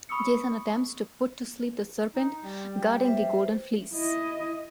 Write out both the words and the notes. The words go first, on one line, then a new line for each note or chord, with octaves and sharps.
Jason attempts to put to sleep the serpent guarding the golden fleece.
B5 C#6 D#6 E6 C#7
D#4
G3
B4 C5 E5
E4 D#5